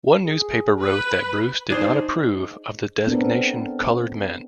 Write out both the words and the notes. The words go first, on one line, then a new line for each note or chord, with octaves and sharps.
One newspaper wrote that Bruce did not approve of the designation colored men.
G#4
B4
D4 D#4 G#4 C5 D5
B3 C4 D4 A4 A#4